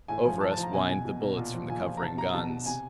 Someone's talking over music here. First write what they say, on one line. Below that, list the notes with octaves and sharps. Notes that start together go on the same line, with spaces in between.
Over us whined the bullets from the covering guns.
A2 G#5
F3 G#5
F3 A5
A5
F3
A#5
B2 G#5
B2 G#5
B2
B2
A#2
F3
A#2 G#5
F3
A#5
B2 A5
B2 A#5
B2 A5
B2
C3 G#5